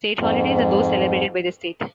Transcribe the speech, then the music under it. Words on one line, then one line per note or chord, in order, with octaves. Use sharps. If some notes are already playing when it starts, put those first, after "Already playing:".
State holidays are those celebrated by the state.
F2 G#2